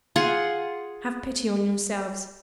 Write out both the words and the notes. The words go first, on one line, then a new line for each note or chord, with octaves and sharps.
Have pity on yourselves.
F4 G#4 F#5